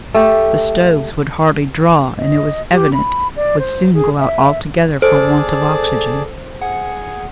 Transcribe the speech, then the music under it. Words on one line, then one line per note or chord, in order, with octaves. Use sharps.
The stoves would hardly draw, and it was evident would soon go out altogether for want of oxygen.
A3 G4
D#5
G4
B5
D5
C5
G#4
E5
G#4 A4 C5 D5 A5
G#4 F#5 G#5